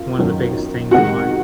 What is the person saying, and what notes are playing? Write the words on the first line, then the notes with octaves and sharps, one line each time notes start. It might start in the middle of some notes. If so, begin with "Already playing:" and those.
one of the biggest things in life.
Already playing: F#2 F4
F#2 D#3 F#3
C3 D#3 G#3 F#4 F#5